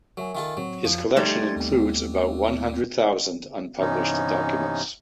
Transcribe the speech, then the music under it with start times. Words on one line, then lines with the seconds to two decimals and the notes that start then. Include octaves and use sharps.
His collection includes about one hundred thousand unpublished documents.
0.17 F#3 A#4 E5 G#5
0.35 D#3 F4 A4
0.57 A2 F#3 C4
0.85 F2 F3 F4
1.16 G3 A3 D#4 C6 G#6 A6
1.56 D#2 B3 C4
3.80 G2 C3 E3 B3 C#4 D#4